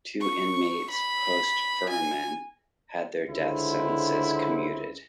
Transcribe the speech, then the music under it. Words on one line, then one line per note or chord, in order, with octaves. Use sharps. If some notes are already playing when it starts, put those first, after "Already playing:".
Two inmates post-"Furman" had their death sentences commuted.
C#6
B5
G#5
C#2 D3 E4 C5